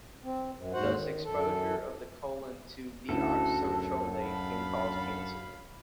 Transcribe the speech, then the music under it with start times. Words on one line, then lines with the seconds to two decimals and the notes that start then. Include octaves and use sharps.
Thus, exposure of the colon to deoxycholate can cause cancer.
0.23 C4
0.55 F#2
0.73 D#2 G#2 F#4 C5 F#5
0.93 D#3
1.25 F#2 A4
3.09 D2 C#4 E4 F#4 A4
3.56 F#2
4.24 F5 B5